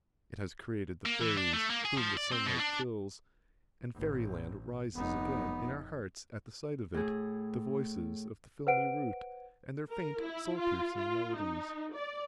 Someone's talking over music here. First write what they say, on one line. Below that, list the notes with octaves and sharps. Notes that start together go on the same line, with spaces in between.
It has created the fairies, whom the sunlight kills, and fairyland rises again in our hearts at the sight of it, the voices of the filmy route, and their faint, soul-piercing melodies.
A#3
E3
D4
A3
A#3
G#4
F3
D5
C4
B2
D4
A1
F1 B3 D#4
A2 G#4
B4 C5 F#5 D7
A#4
E4
F4
F4
D#4
D5